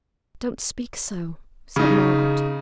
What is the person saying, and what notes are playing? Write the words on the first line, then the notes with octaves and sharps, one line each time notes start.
'Don't speak so!' said Margaret.
C#3 D#4